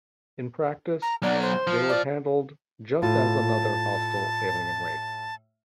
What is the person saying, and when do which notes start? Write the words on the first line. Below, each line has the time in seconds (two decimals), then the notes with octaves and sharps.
In practice, they were handled just as another hostile alien race.
1.02 A#5
1.22 B1 F#3 D5
1.42 C5
1.67 F3
1.88 D5
3.02 A2 F4 A5